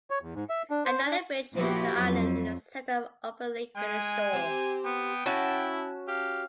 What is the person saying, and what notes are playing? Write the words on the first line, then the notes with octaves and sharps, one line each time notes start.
Another bridge links the island in the centre of Upper Lake with the shore.
C#5
E2
G#2
E5
D4
C5
D4
A#2 F3 E4 F#4 G4
F2 F#3
G#3 G#5
C4 G4
B3 G5
C#4 E4 F#4 A5
G4 F5